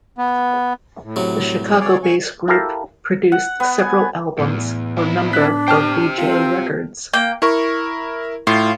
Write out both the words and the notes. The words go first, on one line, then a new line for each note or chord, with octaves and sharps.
The Chicago-based group produced several albums, a number for Vee-Jay Records.
B3
A2
C3 F#3
G#4 C#5 D5
G#5 C#6
E4 G4 A4 A#4 F5
F#5
B3
G#5
E2 A2 B3
C4 E4
D4 F#6 B6
G4 C5 G5 A5 F6
C4 F4 F5
A#3 G5
E4 A#4 C#6
A2 F4